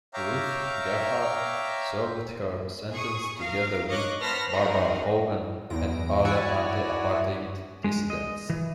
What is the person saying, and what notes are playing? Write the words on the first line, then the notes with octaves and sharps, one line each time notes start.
Ruth Gerhardt served her sentence together with Barbara Hogan and other anti-apartheid dissidents.
C#5 E5 F5 G5 A#5 D6
G#4 C#6 D#6
A#4 F5
C#5 D#5 C#6 D6 F#6
B3 C5 A5 F6 A#6 B6
C4 D#4 F#4 G#4 A#4
E2 A#6 D7
E4 F#4 C#5 D5 G#5
G#3
D#5
E3